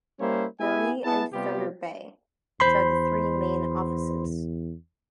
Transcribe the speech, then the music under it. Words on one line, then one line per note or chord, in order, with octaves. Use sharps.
Marie and Thunder Bay, which are the three main offices.
G3 A#3 C#4 E4 C5 C#5
B3 E4 G4 G#4 E5 G#5
B3 E4 G#4 A5
C3 G3 B3 F4 G4
E2 C5 B5 C6